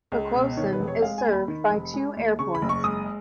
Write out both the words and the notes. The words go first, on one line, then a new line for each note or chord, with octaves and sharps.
Poquoson is served by two airports.
C#2
B2
D#3 C#5
B4
F1
C#5
G#3 F5
G#5
D#2
B5
D#3
F1
G#3
D#2
C#3 C#6
B5
F#1
C#6
G#3 D#6